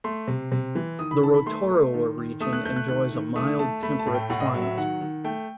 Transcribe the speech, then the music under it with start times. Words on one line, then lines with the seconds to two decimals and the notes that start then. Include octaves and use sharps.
The Rotorua region enjoys a mild temperate climate.
0.04 A3 C6
0.28 C3
0.52 C3
0.75 E3
0.99 D#3 D#6
1.11 B5
1.23 D#3 A5
1.34 B5
1.46 A3 C6
1.70 A3
1.94 D#3
2.18 D#3
2.40 A3 D#6
2.53 F#6
2.65 A3 G6
2.76 F#6
2.88 D#3 F#6
3.12 D#3
3.36 A3 D#6
3.59 A3 A5
3.83 A3 B5
3.99 A5
4.07 A2
4.14 G5
4.30 A2 F#5
4.40 D#5
4.47 E5
4.54 F#3
4.62 E5
4.77 D#3 F#5
5.01 D#3
5.24 A3 G5